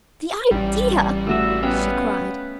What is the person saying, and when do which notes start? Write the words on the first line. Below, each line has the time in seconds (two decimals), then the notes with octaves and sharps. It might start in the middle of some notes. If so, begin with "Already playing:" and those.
"The idea!" she cried.
0.51 A1 G3 G4
1.27 A3 F#4 E5
1.63 B3 C#4 F5 G5